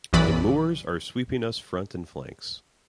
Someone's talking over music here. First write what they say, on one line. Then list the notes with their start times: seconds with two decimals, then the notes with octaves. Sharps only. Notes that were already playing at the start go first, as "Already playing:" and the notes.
The Moors are sweeping us front and flanks.
0.13 B1 F#2 E3 D5 B5